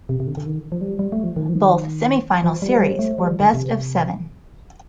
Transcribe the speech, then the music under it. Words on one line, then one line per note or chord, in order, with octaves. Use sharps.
Both semifinal series were best-of-seven.
C3
C3
D3
D3
D#3
F3
G3
G3
A3
F3
D#3
F3
D#3
F3
G3
G3
A3
G3
F3
D3
C3